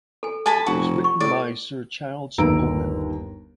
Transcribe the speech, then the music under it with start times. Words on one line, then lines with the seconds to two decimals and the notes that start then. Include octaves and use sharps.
It was written by Sir Charles Oman.
0.23 A4 G#5
0.46 A4 G#5 A5 B5
0.66 F1 F#4
1.04 C#6
1.20 A2 D5
2.38 G1 D#2 B4 A#5 E6 D7